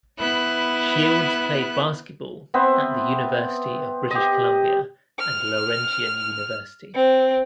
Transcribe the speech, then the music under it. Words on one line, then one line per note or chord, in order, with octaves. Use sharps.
Shields played basketball at the University of British Columbia and Laurentian University.
B3 E4 F#6
B3 C4 E5
G4 D#5
F6
C4